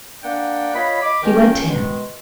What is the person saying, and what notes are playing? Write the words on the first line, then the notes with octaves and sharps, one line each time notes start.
He went to him.
A#3 D4 D5 F#5 G5
F4 C#5 D#5 B5
D#5 B5 D6
C#2 D#3 C#4 A#4 G5
B2 D#3 G#3